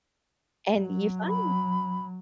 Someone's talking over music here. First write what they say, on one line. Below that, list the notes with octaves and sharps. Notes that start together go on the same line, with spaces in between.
And you find
F#3
B5